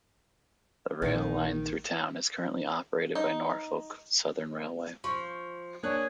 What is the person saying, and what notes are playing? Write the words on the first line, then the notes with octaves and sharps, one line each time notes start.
The rail line through town is currently operated by Norfolk Southern Railway.
A#1 A#2 D#3
D#4
F3 C#6
A#3 D4 G#4 C#5 F#6